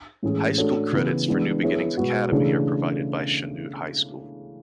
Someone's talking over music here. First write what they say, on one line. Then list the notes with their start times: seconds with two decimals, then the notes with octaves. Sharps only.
High school credits for New Beginnings Academy are provided by Chanute High School.
0.23 A2 E3 G#3 C#4 G#4
0.57 A3 D4 F#4 A4 C#5
0.93 C#3 E3 B3
1.28 E3 G#3 B3 D4
1.63 B3 E4 G#4 C#5
1.97 B2 G#3 B3 F#4
2.32 C#3 E3 A3 D4 G#4